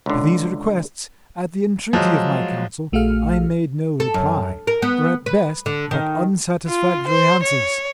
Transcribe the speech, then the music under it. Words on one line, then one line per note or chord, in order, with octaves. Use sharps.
To these requests, at the entreaty of my council, I made no reply, or at best but unsatisfactory answers.
C#2 D3
F3 F#3 G#3
A#1 A3 F#4 G#4 F5 F6
A4
F#2
A#4
B3
B4
D3
D#3
F4
C5
C#5